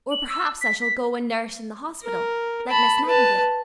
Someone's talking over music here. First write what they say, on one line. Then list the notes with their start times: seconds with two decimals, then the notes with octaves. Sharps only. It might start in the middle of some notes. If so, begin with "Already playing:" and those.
Or perhaps I shall go and nurse in the hospital, like Miss Nightingale.
0.11 F#7
0.29 E6
0.61 B6
0.81 B6
2.03 A#4
2.69 A5 B5
3.05 B4 A5